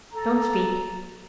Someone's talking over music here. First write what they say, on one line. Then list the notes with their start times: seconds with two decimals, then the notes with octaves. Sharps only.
Don't speak.'
0.12 A4 A#5